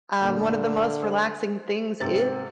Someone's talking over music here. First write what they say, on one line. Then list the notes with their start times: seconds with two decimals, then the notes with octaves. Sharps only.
Um, one of the most relaxing things, e
0.22 A#2 D3 A#3
1.02 C5
2.01 G#2 C3 C4 A6